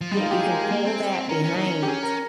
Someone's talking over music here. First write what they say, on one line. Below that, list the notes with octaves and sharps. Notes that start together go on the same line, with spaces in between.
yeah, you can pull that behind.
F3
G3 G#3
D#4
F4
G#3
G4
G#4
A#4
G#4
A#3
C4
C#4 A#4
C#4
D#4
C#4
G4
G#4
A#4